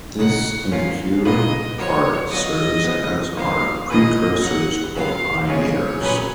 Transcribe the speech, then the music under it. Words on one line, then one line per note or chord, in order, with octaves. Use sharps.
This impure part serves as our precursors or pioneers.
C#3 G#3 D#4 F#5
A#3 C#4 F4 F5
A#2 G#3 B3 F4 B4 D#5
F3 B3 F#4 A#4 C#5
F#3 B3 F4 D#5
F3 G#3 B3
D#3 A#3 D#4 F5
D#3 A#3 F4 G#4 B4 D#5
F#3 A#3 C#4 F#5
C#3 F#3 B3 F5
C#3 G#3 C#4 F4 G#4 C#5
A#2 F#3 C#4 G#4 B4